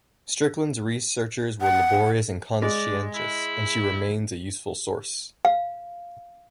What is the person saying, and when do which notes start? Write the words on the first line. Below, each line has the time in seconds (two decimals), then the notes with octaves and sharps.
Strickland's researches were laborious and conscientious, and she remains a useful source.
1.61 F#5
2.62 G#3 D5
3.15 E4
5.45 F5